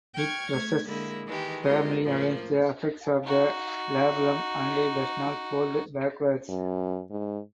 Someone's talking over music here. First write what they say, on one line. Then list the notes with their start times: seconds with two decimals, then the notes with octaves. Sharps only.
It presses firmly against the apex of the labellum and does not fold backwards.
0.14 G5 C#6 F6 G#6
0.52 A3 G#6
0.84 D3 G#3 A#3 E4
1.25 D#3 E3 G#3 G4
1.64 G#3 C4 F4 G4 A#4 D#5
2.02 A2 F3 A#3
3.23 D#4 F#4
6.49 F#2
7.10 G#2